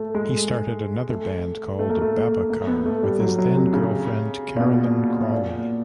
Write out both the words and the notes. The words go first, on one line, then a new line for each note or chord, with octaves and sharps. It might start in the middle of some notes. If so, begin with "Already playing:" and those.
He started another band called Babacar with his then-girlfriend Caroline Crawley.
Already playing: A3
G#3
A3
A3
A#3
A3
A#3
B3
A3
G3
F#3
F#3
C3
C#3
A#2
B2
A#2